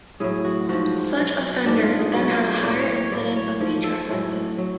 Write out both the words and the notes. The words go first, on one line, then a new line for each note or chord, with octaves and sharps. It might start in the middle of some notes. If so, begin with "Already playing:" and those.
Such offenders then had a higher incidence of future offenses.
A2 F#3 G#4
F#4
G#2 F3 F#4
B2 F#3
G#2 F#3 D4
F4
G#4
B2 F#3 F#4
F4
G#4
A2 F#3 D5
C#5
C#5
A2 F#3 D5
C#5
G#2 F3
A4
A2 F#3
F#3